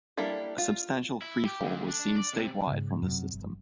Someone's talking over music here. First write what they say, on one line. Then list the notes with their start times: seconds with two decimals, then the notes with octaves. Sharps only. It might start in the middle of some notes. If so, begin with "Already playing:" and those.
A substantial tree fall was seen statewide from this system.
0.17 G3 A#3 D4 E4 A4
0.58 F4
1.22 E4
1.45 G4
1.63 D2
1.89 D4
2.17 D5
2.33 C3
2.67 G#2 C#3
3.02 F#2 C3
3.32 G1